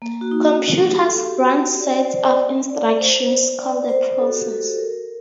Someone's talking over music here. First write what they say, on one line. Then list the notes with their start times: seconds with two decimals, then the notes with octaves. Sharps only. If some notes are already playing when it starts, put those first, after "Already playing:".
Computers run sets of instructions called a process.
0.02 A#3
0.21 F#4
0.31 D#4
0.61 F#4
0.81 G4
0.91 F#4
1.06 A4
1.21 G4
1.39 F#4
1.50 G4
1.81 D5
1.95 D#5
2.05 C5
2.10 D5
2.70 D5
2.99 C5
3.59 D5
3.89 C5
4.19 A4
4.28 F#4
4.38 G4
4.49 A4
4.78 A#4